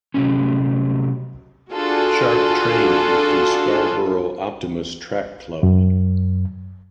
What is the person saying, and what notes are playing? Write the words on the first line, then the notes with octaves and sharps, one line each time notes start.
Sharpe trained with the Scarborough Optimist Track Club.
C3 E3 F#3 G3 A3 C#4
D4 F4 F#4 G#4 A4
F#2